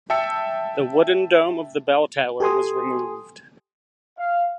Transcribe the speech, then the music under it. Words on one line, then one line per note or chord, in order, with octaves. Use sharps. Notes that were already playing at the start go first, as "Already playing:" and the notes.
The wooden dome of the bell tower was removed.
E5 G5 A5 E6 C#7
G4 A4 G#5 C6 D#6
F5